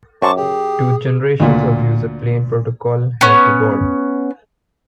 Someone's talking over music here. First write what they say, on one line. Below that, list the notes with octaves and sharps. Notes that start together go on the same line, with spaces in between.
Two generations of User plane Protocol have evolved.
F#2 C5 A5 C#6 D6
G4 G#4
D2 A#2
B3 C#4